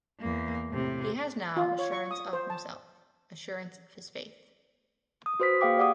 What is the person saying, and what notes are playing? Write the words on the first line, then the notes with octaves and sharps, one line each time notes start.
He has now assurance of himself, assurance of his faith.
E2 A#3
A2 C3
F4
C#5
C#6
D#6
C5
A5
D#6
F#4 B4 C5 D#6 B6
A#3 G#4 F5 G5 D6
G4 D5 F#5 D6 D#6